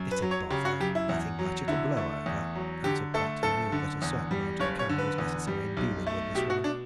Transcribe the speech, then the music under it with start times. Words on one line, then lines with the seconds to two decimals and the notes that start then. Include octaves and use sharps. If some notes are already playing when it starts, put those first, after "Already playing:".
"Bit of bother--nothing much--it'll blow over," answered Pratt, who knew that a certain amount of candour was necessary in dealing with this woman.
Already playing: F#2
0.12 B4
0.22 F#3
0.31 C#5
0.50 C#3 G4
0.65 F#4
0.80 F#2 G4
0.95 E4
1.09 E2
1.39 F#3
1.68 D3 E4
1.97 A3
2.26 E2
2.55 F#3
2.84 D3 G4
3.14 A3 A4
3.43 F#1 A4
3.72 D3
4.02 E2
4.31 G3
4.60 F#1 C#5
4.79 C#5
4.89 D3
4.98 B4
5.18 E2
5.47 G3
5.77 B1
6.07 A3
6.35 B2 G4
6.50 F#4
6.64 D4